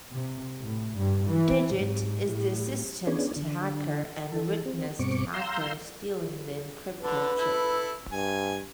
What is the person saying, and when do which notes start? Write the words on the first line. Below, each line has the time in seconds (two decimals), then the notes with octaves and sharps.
Digit is the assistant to Hacker and witnessed Hacker stealing the Encryptor Chip.
0.12 C3
0.62 A2
0.96 G2
1.28 E3
1.77 G#2
2.23 A2
3.07 B3 C#4 D4 G#4
3.36 D3
4.32 E3 A4
4.66 C4
4.99 G2 B2 C4 C#6 D6
5.34 F5 A#5 C6 E6 G6
7.03 D3 D4 B4
7.38 E4 A4
8.12 G2 G#5